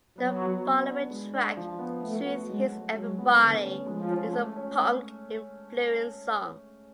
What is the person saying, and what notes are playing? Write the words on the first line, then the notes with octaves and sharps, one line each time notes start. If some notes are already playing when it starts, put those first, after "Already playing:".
The following track, "Truth Hits Everybody", is a punk-influenced song.
F#3 B3
F#4
B3
D4
G#3
D4
F3
B3
A3 B3
F#4
F#3 G#3
A3
F#3 G#3
B3
D3 A3
C#4
F3 G#3
C#4
A3
C#4